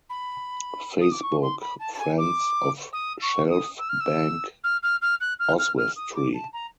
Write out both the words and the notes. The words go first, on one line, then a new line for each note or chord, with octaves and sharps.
Facebook - Friends of Shelf Bank, Oswestry.
B5
D#6
D6
C#6
C6
B5
A5
A5
G#5
D6
D#6
C#6
D#6
E6
F6
E6
F6
F6
F6
F#6
F6
F6
F6
D#6
D6
A5
A#5